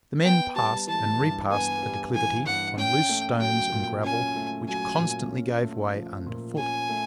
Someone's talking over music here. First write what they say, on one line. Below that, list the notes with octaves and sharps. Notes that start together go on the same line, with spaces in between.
The men passed and repassed a declivity, on loose stones and gravel, which constantly gave way under foot.
B3 G5
G3 A5
E3 A5
G2
B3 G#5
G3
E3 G#5
G2 F#5
C#4 G5
A3
F#3 G5
A#2
C#4 G#5
A3
F#3 G#5
A#2
C#4
A3
F3
A#2
C#4 G#5
A3